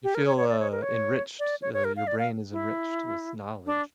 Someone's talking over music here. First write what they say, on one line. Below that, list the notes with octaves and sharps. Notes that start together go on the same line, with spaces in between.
You feel, uh, enriched, uh, your brain is enriched with knowledge.
G4
A#4
C#5
C#5
D5
C#5
A#4
C#5
D5
C#5
C#5
A#4
F5
D5
F5
E4
D4